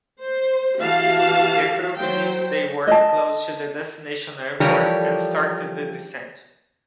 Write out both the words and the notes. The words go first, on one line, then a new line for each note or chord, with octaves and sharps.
The crew believed they were close to the destination airport and started the descent.
C5
E3 F#4 G4 F5 A5
F#3 C5 G5
D#5 A5
E3 F3 G3 A4 A#4 C#5